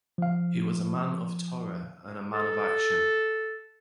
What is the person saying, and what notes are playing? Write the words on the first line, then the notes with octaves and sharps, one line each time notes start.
He was a man of Torah, and a man of action.
F3 F5
A4